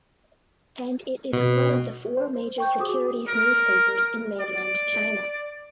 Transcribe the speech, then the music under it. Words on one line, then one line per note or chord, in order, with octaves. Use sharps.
And it is one of the four major securities newspapers in Mainland China.
B2
C5
G5 C#6 G6
F#4 G#4 D6 D#6
A#4
D5